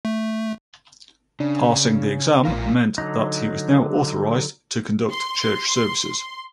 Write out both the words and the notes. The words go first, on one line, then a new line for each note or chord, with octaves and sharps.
Passing the exam meant that he was now authorised to conduct church services.
A3
C#3 D4
A#1 A2 F4 A#4 F5
D3 F#3 D#4
C6